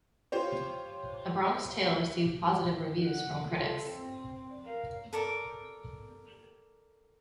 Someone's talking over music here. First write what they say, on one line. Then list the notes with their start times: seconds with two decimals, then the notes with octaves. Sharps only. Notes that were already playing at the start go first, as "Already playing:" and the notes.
"A Bronx Tale" received positive reviews from critics.
0.32 F4 G4 C5 C#5
3.02 F#5
3.49 F4 A4
3.88 C4
4.64 A#4 F5
5.13 A4 A#4 D5 D6